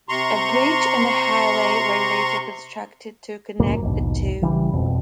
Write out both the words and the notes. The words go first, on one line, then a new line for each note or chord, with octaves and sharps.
A bridge and highway were later constructed to connect the two.
C3 A#5 C6 C#6
C#2 F#2 A2 A#3
A#1 D#2 G#2 B2
A#1 C#3 E3 G3
E1 F2 B2 C4